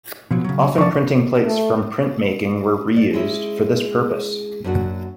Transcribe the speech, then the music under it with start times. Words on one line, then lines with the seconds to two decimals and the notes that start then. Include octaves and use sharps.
Often printing plates from printmaking were reused for this purpose.
0.31 B2 F3 F#3
0.44 C#3 F#3
0.78 F3 D5 A5 C#6
1.44 A3
2.96 D5
3.13 G#3 C#4 E4 G#4
4.64 F#2 A#3 D4 F4 F#4